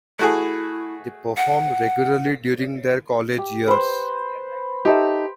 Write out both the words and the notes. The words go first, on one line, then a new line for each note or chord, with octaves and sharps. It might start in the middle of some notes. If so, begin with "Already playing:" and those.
They performed regularly during their college years.
A3 E4 F#4 G#4
F#5
G4
B4 C5
D#4 G4 A4 E5